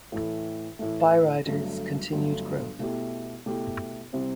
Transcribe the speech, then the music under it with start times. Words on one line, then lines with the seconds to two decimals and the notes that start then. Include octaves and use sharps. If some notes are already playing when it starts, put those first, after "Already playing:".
Byrider's continued growth.
0.12 A2 E3 A3
0.79 A2 E3 A3
1.46 G1 G2 F#3 A3
2.12 G1 G2 F#3 A3
2.79 B2 A3 E4 G4
3.46 B2 A3 E4 G4
4.12 C3 G3 C4 E4